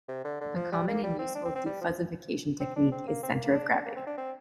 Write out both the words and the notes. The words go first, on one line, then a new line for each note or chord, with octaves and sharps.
A common and useful defuzzification technique is "center of gravity".
C3
D3
D3
F3
G3
A#3
G3
C4
D4
C4
C4
G3
F3
C4
D4
C4
A#3
C4
A#3
A#3
D4
D4
A#3
C4
D4
C4